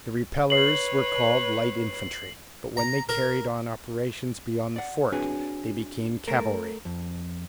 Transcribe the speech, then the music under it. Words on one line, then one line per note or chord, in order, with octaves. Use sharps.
The repellers were called light infantry; but when they carried on operations beyond the fort they became cavalry.
B4 C#5 C7 F#7
A#5
A#4
D5 F#5
C4 D4 F#4 G#4 B4 C#5
A3 A4 A#4
F2